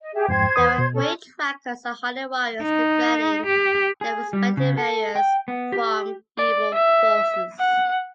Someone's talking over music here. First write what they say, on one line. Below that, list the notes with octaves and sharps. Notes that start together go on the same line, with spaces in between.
They were great trackers and hardy warriors-defending their respective areas from evil forces.
D#5
G4 G#4 E5
F2 G#2 C5 G5 G#6
E2 B4 D#6
B2
C#4 A4
D#4
G4
G#4
G3
C#3
A4
G5
B3
G4
D5
E5
F#5